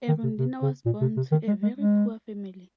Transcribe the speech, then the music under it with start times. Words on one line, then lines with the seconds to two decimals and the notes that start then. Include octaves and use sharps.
Erundina was born to a very poor family.
0.08 D#3
0.23 C3
0.39 C3
0.62 C#3
0.86 A#2
1.01 C3
1.17 C3
1.32 D#3
1.48 G#3
1.63 G#3
1.78 G#3